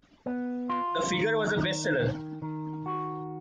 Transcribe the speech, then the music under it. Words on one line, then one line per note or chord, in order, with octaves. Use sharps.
The figure was a best seller.
B3
F4
D#3
D#3
D#3
D#3
F#4